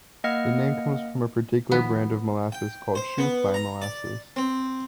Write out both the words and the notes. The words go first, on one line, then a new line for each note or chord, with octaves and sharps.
The name comes from a particular brand of molasses, called Shoofly Molasses.
A#3 D#5 F#5 F6
D#2 D#3 F3 B3
G5
C5
B3
A#5
D5
C4